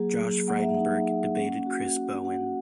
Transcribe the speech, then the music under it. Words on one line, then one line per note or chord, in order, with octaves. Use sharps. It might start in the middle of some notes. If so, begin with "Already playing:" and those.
Josh Frydenberg debated Chris Bowen.
Already playing: F#3 A#3 G#4
F#3
A#3 F#5
E5
D#4 F#5
A#3
C#4 F#5
F#4
F#4
F#4 F#5